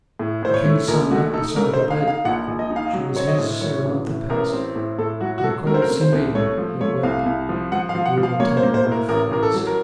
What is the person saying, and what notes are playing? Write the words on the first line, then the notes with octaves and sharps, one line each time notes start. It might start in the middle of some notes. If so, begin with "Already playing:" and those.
The king's son knelt beside her bed: She was his ere a month had passed; And the cold sea-maiden he had wed Grew a tender wife at last.
A2
A2 C5
C#5
A3
A#1 A#4
A3 F#4
D#4 A4
A3 A#4
C5
D#4
F5
D#4
F5
A#1 F#5
A#1
D#5
D#4
F5
F#3
C4 C#5
D#5
A2
F#3 C#5
A1
A2
A1 A#4
C4
A2
A2 A4
F#3 F#4
F#4
F#3 A4
A3 A#4
C5
A#4
C3
C5
C2
A3 C#5
F3
A3 C#5
C2 F5
C2
F3
F3 F#5
F5
F3
F#5
F3
F5
A#3 C#5
C5
A#3
C5
A2
A#4
A1 A#4
A1 A#4
A4
F#3
A#4